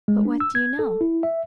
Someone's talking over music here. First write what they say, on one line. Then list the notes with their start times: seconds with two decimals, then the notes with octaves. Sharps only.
But what do you know?
0.08 G#3
0.25 D4
0.40 E6
0.55 G#6
0.79 A4
1.01 E4
1.23 E5